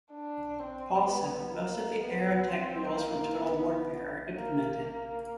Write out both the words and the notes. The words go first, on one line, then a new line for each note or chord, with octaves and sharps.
Also, most of the "AeroTech" rules from "Total Warfare" are implemented.
D4
C4
B3
A#3
B3
C4
A#3
B3
A#3
A#3